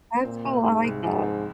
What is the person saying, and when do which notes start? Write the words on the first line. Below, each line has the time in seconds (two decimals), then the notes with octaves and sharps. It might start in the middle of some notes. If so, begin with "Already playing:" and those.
That's cool, I like that.
0.24 A#2 C4
0.44 C3
0.64 G#2 C4
0.84 C2
1.03 G#2 F3
1.23 C4